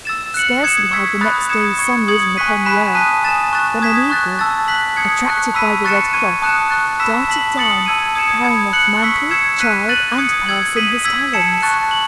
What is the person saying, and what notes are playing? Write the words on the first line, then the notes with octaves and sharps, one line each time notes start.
Scarcely had the next day's sun risen upon the earth, when an eagle, attracted by the red cloth, darted down, carrying off mantle, child, and purse in his talons.
E6 A6 E7
F#6 C#7 F#7
D#6 G#6 C#7 E7
C#6 E6 G#6 B6
B5 D#6 F#6 A6
D#6 G#6 C#7 E7
C#6 G#6 C#7
D#6 G#6 C#7 F#7
G#5 C#6 F#6 B6 D#7
G#5 B5 F#6 B6 E7
A5 D#6 F#6 B6 D#7
G#5 D#6 A6 E7
C#6 F#6 A6 E7
D#6 G#6 B6 E7
C#6 F#6 A6
A5 E6 A6
F#6 B6 F#7
D#6 G#6 C#7
A5 C#6 F#6
B5 E6 B6 D#7
C#6 F#6 A6 C#7 E7
C#6 G#6 D#7
A5 D#6 F#6 C#7 E7
C#6 F#6 A6
B5 E6 B6 E7
A5 E6 B6 F#7
D#6 A6 C#7 F#7
A5 E6 G#6 D#7
D#6 G#6 C#7 E7
B5 D#6 G#6 C#7
F#6 C#7 F#7
C#6 E6 B6
E6 G#6 C#7 E7
F#6 B6 D#7
F#6 A6 D#7 F#7
D#6 G#6 C#7
E6 G#6 C#7 F#7
D#6 G#6 B6 D#7 F#7
E6 G#6 B6 F#7
A5 E6 G#6 C#7 E7
A5 C#6 F#6 A6
F#7